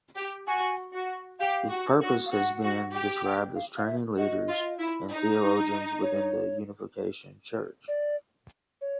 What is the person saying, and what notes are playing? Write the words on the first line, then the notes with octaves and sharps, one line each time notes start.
Its purpose has been described as training leaders and theologians within the Unification Church.
G4
F#4 G#5
F#4
G4 F5
F#4
F#4
F5
F#4 F#5
F#4
G4
F#5
F5
F5
E5
F#4 D#5
F4
E4
D#4
C#5
D5
C#5